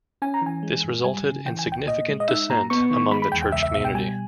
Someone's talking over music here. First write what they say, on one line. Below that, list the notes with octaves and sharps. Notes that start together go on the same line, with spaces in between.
This resulted in significant dissent among the church community.
C#4 G#5
A#5
E3 G#5
G#3
G2
G3 G#5
C#3
E3 G5
G#5
C#2
G5
A#2 D#5
G#3
D#5
D#4 E5
A#2 A#5
B3 C#6
D#3
G#3 B5
B5
E2 G5
G5
C#2 E5
E5
B2 E5
G5
G3 G#5